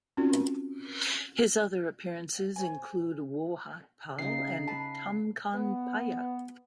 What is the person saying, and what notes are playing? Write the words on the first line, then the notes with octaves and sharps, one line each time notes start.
His other appearances include "Woh Aik Pal" and "Tum Kon Piya".
C4 C#4 D#4 F4 F#4 A#4
C5 C#5 G#5
C#3 D#4 C7
B4 A5
B3